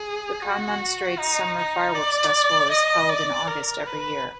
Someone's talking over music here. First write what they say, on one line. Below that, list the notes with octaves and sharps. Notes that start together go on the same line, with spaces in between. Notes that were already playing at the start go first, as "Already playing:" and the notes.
The Kanmon Straits Summer Fireworks Festival is held in August every year.
Already playing: G#4
F#4
D#4
D#4
D5
D#5
D5
A#4
B4